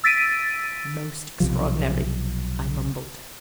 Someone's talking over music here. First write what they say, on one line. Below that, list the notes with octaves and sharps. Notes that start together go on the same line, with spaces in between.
"Most extraordinary!" I mumbled.
E6 A6 B6 D7 D#7
B1 C3 F3